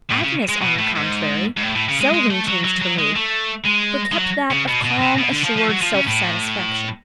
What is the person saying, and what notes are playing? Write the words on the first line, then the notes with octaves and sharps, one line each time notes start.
Agnes, on the contrary, seldom changed her mood, but kept that of calm assured self-satisfaction.
A2
C#3
G#3
B2
A2
G#2
G#2
A2
A2
C#3
G#3
G#3
A3
F#3
F#3
F#3
G#3
A3
G#3
G#3
F#3
C#3
B2
B2
B2
B2
D3
F3
F3
F#3
F3
C#3
A2